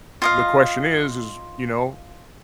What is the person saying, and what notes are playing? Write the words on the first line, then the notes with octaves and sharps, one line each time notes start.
The question is is you know,
F4 D#5 F5